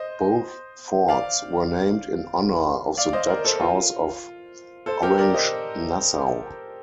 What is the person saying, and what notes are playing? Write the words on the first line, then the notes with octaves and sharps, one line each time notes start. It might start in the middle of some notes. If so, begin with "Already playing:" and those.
Both forts were named in honor of the Dutch House of Orange-Nassau.
Already playing: C5 D#5
D5 F5
D5 F5
C5 D#5
A#4 D5
A4 C5
F4
A4 C5
G4 A#4
A#4 D5
C5 D#5